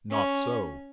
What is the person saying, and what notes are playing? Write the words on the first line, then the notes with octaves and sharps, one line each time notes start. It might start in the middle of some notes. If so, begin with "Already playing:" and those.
Not so.
C#4